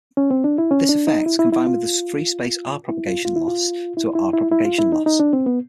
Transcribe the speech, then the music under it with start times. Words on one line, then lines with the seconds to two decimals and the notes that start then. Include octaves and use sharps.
This effect, combined with the free-space r propagation loss to a r propagation loss.
0.17 C#4
0.31 C4
0.44 D4
0.58 E4
0.71 C#4
0.89 D4
1.07 D#4
1.26 E4
1.39 E4
1.52 E4
1.67 F4
2.89 E4
3.07 F4
3.25 F4
3.36 E4
3.48 F4
3.97 E4
4.15 E4
4.33 E4
4.51 E4
4.65 F4
4.79 E4
4.92 D#4
5.06 D#4
5.20 D4
5.33 C4
5.46 B3